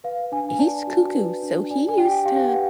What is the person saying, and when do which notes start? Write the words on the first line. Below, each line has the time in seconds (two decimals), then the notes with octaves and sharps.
He's cuckoo. So he used to
0.04 B4 F5
0.32 D4 G#5
0.49 G#5
0.59 D5 A5
0.87 F#4
1.15 B4
1.43 D4
1.70 D5 G#5
1.89 G#5
1.98 G4 G5
2.25 G4 F5
2.48 F#5
2.53 B4 F5